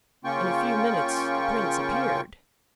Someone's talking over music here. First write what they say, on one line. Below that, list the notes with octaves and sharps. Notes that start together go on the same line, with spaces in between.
In a few minutes the prince appeared.
C#3 A#3 C#4 F4 G5 C#6